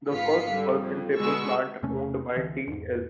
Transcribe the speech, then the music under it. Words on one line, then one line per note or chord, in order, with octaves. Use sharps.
The first pulp and paper plant, owned by T.-L.
G#1 B3 F4 F5 B6 C#7
D3 G3
F2
B2 D3 G#3 C#6 E6
E2 C3 A3 C#4
C2 D3 E3
E2 G#2